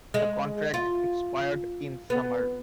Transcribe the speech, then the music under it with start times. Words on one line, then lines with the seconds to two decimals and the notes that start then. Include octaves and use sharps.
The contract expired in summer.
0.14 G#3
0.74 F4
2.10 B3